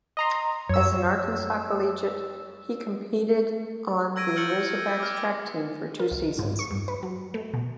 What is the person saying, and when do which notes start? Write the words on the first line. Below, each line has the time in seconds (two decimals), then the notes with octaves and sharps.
As an Arkansas collegiate, he competed on the Razorbacks' track team for two seasons.
0.17 D#5 A#5 C6
0.69 F#2 C#5 E6
4.16 E6 G#6 A#6 D7 D#7
4.36 E6 F6 G6 A6 C#7 F#7
4.66 C#7
5.00 D6 F6
5.99 A#4
6.11 C2
6.39 G#2
6.59 C#6
6.71 G2
6.88 B4
7.03 F#3
7.34 A3
7.54 B2